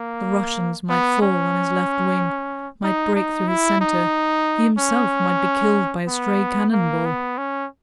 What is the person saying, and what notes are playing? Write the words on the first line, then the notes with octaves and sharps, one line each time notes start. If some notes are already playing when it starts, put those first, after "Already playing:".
The Russians might fall on his left wing, might break through his center, he himself might be killed by a stray cannon ball.
Already playing: A#3
B3
C#4
D#4
D#4
E4
D#4
C#4
B3
A#3
B3
C#4